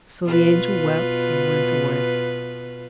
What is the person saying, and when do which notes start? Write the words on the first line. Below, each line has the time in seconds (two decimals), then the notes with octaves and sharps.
So the angel wept and went away.
0.24 B2 F4 B4